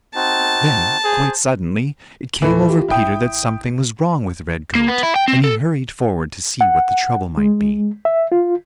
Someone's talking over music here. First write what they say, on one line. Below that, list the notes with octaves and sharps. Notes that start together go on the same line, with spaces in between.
Then quite suddenly it came over Peter that something was wrong with Redcoat, and he hurried forward to see what the trouble might be.
C4 D#4 F#4 A5
G#4 C5
E2 A#2 E3 A3 A4
F4 G4
A1 E4 G5 D#6
A#3
B3
E4
G5
C4
A4
F#5
G#3
E5
F4